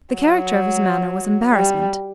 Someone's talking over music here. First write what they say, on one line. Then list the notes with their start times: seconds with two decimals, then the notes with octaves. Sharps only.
The character of his manner was embarrassment.
0.14 F#3
1.53 G3